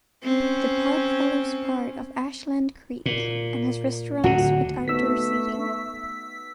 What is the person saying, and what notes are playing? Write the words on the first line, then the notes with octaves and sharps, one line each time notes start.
The park follows part of Ashland Creek and has restaurants with outdoor seating.
C4 C#4
A#2
D1 D3 F#4
A3 B3 D#4 F#4 E6 B6